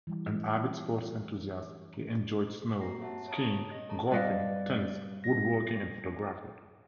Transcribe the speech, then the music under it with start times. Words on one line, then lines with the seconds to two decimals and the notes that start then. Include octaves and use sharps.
An avid sports enthusiast, he enjoyed snow skiing, golfing, tennis, woodworking and photography.
0.07 E3 G3
2.80 A#3 C4 F#4 A#5 A#6 C7
3.00 G4 C#5 E5 F#5 A5
3.28 C#5 A5 A#5 D#6
3.70 G4 C#5 D#5 A#6
3.89 A4 C#5 A5 A#5
4.12 G2 B4 D5 D#5 F5
5.24 A#6